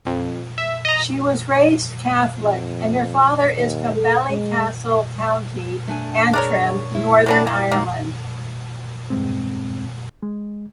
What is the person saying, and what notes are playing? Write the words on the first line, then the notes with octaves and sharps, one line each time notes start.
She was raised Catholic and her father is from Ballycastle, County Antrim, Northern Ireland.
F2
E5
D#5 A#5
F2
D#2
A4
G#3
A3 D4 G#5
D4 G#4 A#4 C#5 D5
E4
F#3 G3 D4
A#3
G#3 A#3 D#4
E2 G2 G#3 C4
G#3